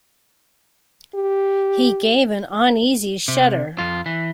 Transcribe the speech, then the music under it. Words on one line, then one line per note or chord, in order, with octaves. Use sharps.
He gave an uneasy shudder.
G4
C3
F2 F4
E3